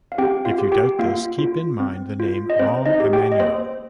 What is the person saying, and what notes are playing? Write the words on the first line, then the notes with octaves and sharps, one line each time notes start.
If you doubt this, keep in mind the name Rahm Emanuel.
F5
C4 G4 G5
F4 F5
G4
G4 G5
A#3 F4 F5
F4
C4
F4
D#5
C4 C5
D#4 D#5
G4
G4 G5
D#5
A#3 C5